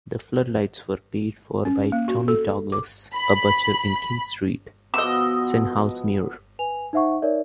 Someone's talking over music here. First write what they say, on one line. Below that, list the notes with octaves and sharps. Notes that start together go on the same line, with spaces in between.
The floodlights were paid for by Tommy Douglas, a butcher in King Street, Stenhousemuir.
C#4
A#3
F#4
A4
D6
B5
B2 F3 B3 D#5 E6
B4 G#5 F7
D#4 C5 E5 F#5 C#6
D#4 A#4 C#5 D5 E5